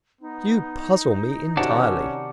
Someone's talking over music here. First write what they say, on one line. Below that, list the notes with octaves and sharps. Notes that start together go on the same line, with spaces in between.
"You puzzle me entirely."
B3 D#4
C3 D#3 C#4 F#4 D5 F#5 A5